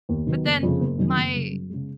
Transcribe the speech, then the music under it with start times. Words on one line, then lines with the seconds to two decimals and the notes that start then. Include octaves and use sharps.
but then my
0.09 D#2
0.27 D#3 F#3 B3
0.45 F#1
0.63 F2 C#3
0.81 F#1
0.98 F#2 D#3
1.16 F#1
1.34 F#2 C#3
1.52 F#2
1.70 C#3 G#3